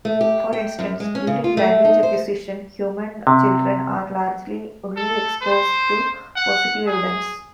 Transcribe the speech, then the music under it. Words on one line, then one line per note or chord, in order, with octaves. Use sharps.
For instance, during language acquisition, human children are largely only exposed to positive evidence.
A3
G4
G5
F#2
G#3
C#4
C#3
F4
A3
D#4
C5
C3
A4
C5
F#5
G#4